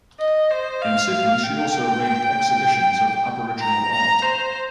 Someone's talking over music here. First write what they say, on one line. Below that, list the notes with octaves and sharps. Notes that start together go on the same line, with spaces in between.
In Sydney she also arranged exhibitions of Aboriginal art.
D#5
C5
F5
F5
G5
A#5
A#5
C5